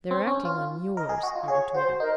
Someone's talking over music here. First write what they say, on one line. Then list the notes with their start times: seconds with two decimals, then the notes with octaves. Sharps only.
"They're acting on yours," I retorted.
0.11 C4
0.27 C#4
0.45 F4
0.96 A#4 D#5
1.09 G#4
1.23 F#4 D#5
1.35 F4
1.48 G#4 C#5
1.74 F#4 C5
2.00 D#4 A#4